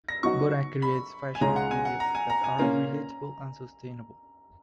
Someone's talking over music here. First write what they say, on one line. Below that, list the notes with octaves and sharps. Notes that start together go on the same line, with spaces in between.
Borah creates fashion videos that are relatable and sustainable.
A#6
B2 F#3 B3 D#4 F#4 C#6
B5
G#5
C#2 C#3 G#3 C#4 G#4 A#5
F#5
G#5
F#5
A#5
G#5
A#5
G#5
A#2 A#3 C#4 A#5